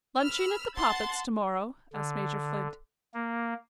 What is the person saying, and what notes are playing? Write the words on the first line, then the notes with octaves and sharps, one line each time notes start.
"Lunching at the Poppit's to-morrow?" asked Major Flint.
B5 E6 F6
F#5 A5 C6 A6
D3
A#3